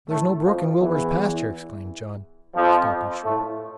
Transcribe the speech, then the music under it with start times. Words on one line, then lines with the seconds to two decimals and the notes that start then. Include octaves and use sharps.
"There's no brook in Wilbur's pasture!" exclaimed John, stopping short.
0.09 A2 A3
0.44 F2 F3
0.79 E2 E3
2.55 F2 F3
3.24 A2 A3